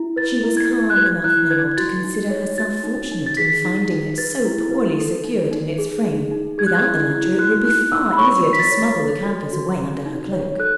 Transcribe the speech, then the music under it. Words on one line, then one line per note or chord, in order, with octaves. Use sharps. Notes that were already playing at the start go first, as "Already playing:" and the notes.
She was calm enough now to consider herself fortunate in finding it so poorly secured in its frame; without the latter it would be far easier to smuggle the canvas away under her cloak.
Already playing: E4
B4 A6
E4
G#6
B4
F#6
B4 G#6
E4 F#6
B4 G#6
F#4 A6
D#4
C#5
F#4 A6
D#4
D#4
A6
G#4 B6
D#4
D#4
B4 A6
E4
B4
A4
D#4
D#4
G#4
D#4
D#4
G#4 G#6
F#6
G#6
E4
E4
F#4 F#6
D#4 F#6
D#4 E6
B5
C#5 C#6
F#4
B6
A6
C#5
A4
F#4
F#4
F#4
D#4
C#5
A4 F#6